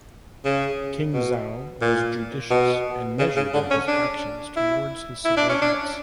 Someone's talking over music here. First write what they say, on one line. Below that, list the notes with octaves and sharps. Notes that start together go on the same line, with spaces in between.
King Zhao was judicious and measured in his actions toward his subordinates.
C#3
B2
A#2
B2
C#3
C#3
D3
C#4
D4
E4
E4
D4
C#4
D4